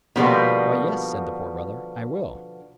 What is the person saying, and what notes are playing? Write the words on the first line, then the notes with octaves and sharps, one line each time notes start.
"Why, yes," said the Poor Brother, "I will."
B2 D3 F3 G3 A#3 B3